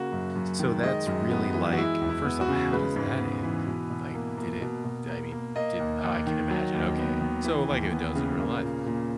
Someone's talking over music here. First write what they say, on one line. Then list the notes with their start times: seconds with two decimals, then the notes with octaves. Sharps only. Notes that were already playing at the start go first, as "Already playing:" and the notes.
So that's really like First off, how does that end? Like, did it di I mean, did Oh, I can imagine, okay. So, like it does in real life.
Already playing: C#3 A#3 F#4
0.12 F#2
0.35 F#2
0.59 D#3
0.83 G#3 D#5
1.07 F#2
1.30 B3
1.54 E3
1.73 F#4
1.78 G#3 E4
2.01 E2
2.09 E4
2.24 B3
2.41 F#4
2.48 C#3
2.72 G#3 B4
2.96 G#2
3.20 B3
3.43 E3
3.67 B2
3.90 B2
4.14 A#3
4.37 A#3
4.61 B2
4.84 B2
5.09 A#3
5.32 A#3
5.56 A#3 D#5
5.79 D#2
6.03 D#2
6.27 D#3
6.50 F#3
6.74 D#2
6.97 B3
7.21 D#3
7.44 E3
7.68 D#2
7.92 B3
8.15 C#3
8.40 A#3
8.63 A#2
8.86 A#2